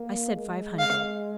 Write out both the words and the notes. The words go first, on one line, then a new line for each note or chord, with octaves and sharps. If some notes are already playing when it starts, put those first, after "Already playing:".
"I said five hundred."
Already playing: A#3
G#3
F5